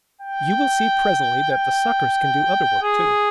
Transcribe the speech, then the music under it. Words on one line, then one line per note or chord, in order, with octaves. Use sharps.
You will see presently that the suckers can do other work too.
G5
G5
G#4